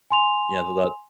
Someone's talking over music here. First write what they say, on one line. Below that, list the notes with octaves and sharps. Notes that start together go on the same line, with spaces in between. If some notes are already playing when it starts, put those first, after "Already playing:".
Yeah, th that
G#5 C6 F7